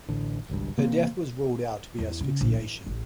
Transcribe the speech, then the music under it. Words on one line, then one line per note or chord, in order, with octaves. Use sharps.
Her death was ruled to be from asphyxiation.
A1 D3
G#1 C#2 G2
C3 E3 A#3 C4
E2
C#3
A#1
E3
A1